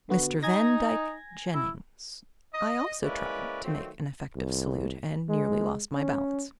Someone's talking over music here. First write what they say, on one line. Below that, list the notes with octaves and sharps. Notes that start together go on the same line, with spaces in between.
"Mr. Vandyck Jennings"--I also tried to make an effective salute and nearly lost my balance.
D3 B3 F#4
D#4 G#5 G#6 A#6
E4
D#5
G#3 A#3 C#4 E4 B4 D5
D#3 F3 F#3 A3 C4
C2
G#3
C#4